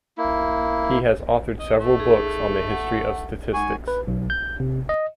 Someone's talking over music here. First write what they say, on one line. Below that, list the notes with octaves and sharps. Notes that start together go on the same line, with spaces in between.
He has authored several books on the history of statistics.
A#3 E4
D#5
A3
D#4 G#4
F#5
G#3 D#4 F#5 G#5 C#6
B4
B1
G6
C3
D#5